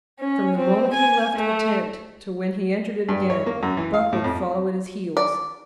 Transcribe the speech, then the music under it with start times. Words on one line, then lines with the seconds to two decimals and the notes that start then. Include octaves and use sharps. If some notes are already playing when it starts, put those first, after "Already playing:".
From the moment he left the tent to when he entered it again, Buck would follow at his heels.
0.20 C#4
0.58 C4
0.94 G#5
1.37 A3
3.09 G2
3.30 C#5
3.46 A#3
3.63 F#2
3.77 E3
3.94 F5
4.13 A2
4.24 F2
5.17 D5